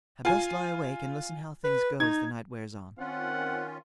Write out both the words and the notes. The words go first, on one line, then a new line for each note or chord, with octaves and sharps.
I'd best lie awake and listen how things go as the night wears on.'
F4 G#5
B4
D#4 G#6
D#3 C4 C#4 F4 F#5